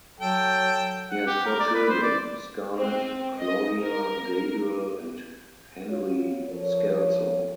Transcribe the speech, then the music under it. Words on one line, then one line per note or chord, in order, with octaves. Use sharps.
He has four children: Scarlett, Claudia, Gabriel, and Henry Scalzo.
F#3 A4 G5
F#5
G4
A#4
D5
B4
C5
D5
C4
D#5
A#4
F4 F#4 C#5
F3 A4 A#4 C#5